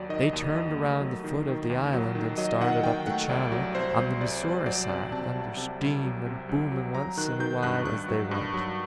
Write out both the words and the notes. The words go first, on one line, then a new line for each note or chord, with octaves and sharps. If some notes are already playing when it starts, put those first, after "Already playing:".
They turned around the foot of the island and started up the channel on the Missouri side, under steam, and booming once in a while as they went.
Already playing: D#2 F#3 D5
D#3 D#5
D#2
D#2
A3
F#3
D#3
D#3
D#2
F#3
D#3
F#3 D#5
D#3 F#5
D#3 G5
A3 F#5
C2 D5
F#3
C2 C5
C2
C2 D5
C2 C5
F#3 D5
C3 D5
C3 A5
C2
C3
C2
F#3
C3
C2
F#3
F#3 A#5
D#3 F#6
D#3 G6
G2 F#6
G2 F#6
F#3
G2
F#3